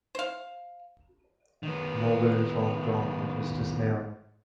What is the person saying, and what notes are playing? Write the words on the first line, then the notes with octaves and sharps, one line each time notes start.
Mogul informed Tom of his dismissal.
C5 F5
D#3 B3